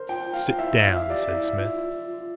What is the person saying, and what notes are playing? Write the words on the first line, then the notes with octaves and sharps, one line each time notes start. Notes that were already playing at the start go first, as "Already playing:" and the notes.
"Sit down!" said Smith.
Already playing: A#4 C5
F4 G5
F4 F5
E4 E5
F4 F5
E5
G4 D5
E5
E4
F4
F4